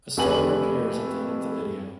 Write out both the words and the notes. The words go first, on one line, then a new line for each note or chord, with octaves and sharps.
A storm appears at the end of the video.
F2 A3 G4 B4 G#5 F#7